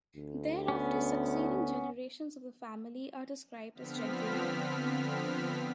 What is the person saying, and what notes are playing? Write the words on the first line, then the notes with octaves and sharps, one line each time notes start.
Thereafter succeeding generations of the family are described as gentlemen.
D2
B3 C#4
D3 F3 B3 C4 F6 B6